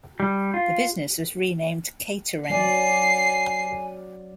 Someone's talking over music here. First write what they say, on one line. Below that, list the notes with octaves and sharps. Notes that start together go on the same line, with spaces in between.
The business was renamed Caterair.
G3
F4
F#3 D5 G#5 C7